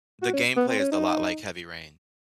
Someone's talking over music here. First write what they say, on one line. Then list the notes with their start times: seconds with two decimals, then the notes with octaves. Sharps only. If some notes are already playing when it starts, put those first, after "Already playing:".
The gameplay is da lot like Heavy Rain,
0.23 F#4
0.33 C#4
0.57 B3
0.69 C4
0.80 C#4
0.92 D#4